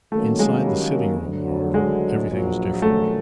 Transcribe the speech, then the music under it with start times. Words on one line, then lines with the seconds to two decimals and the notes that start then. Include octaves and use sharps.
Inside the sitting room, however, everything was different.
0.12 D#3 F#3 A3 A#3 C#4
0.39 G#3
0.66 G3
1.19 D2 D3 F#3
1.74 G#3
2.29 A#1 A#2 F#3
2.82 A3